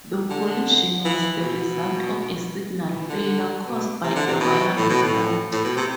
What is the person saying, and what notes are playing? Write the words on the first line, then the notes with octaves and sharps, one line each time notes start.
The collision was the result of a signal failure caused by a wiring fault.
D3
E3
B2
E3
D3
B2
C3
D3
C3
B2
A2
B2
A2
A2
B2
C3